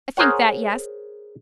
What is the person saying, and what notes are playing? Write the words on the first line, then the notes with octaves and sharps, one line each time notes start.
I think that yes.
G#4 A#4 C5 C#5 F#5